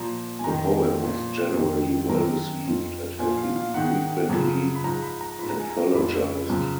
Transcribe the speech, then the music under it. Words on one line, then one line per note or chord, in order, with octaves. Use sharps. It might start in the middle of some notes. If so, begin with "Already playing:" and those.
The poem was generally well received and has been frequently anthologized.
Already playing: A#2 F3 A#5
G#5
F2 D#3 A#5
A#2 F3
F2 D#3
F#2 D#3 A#5
F2 F3
A#2 F3 G#5
F5
F5
G#2 D#3 F#5
F#2 C#3 F3
B5
G#2 F3 A#5
B5
A#5
G#2 F3 B5
A#5
G#5
A#5
F2 F3 B5
F#2 C#3 F3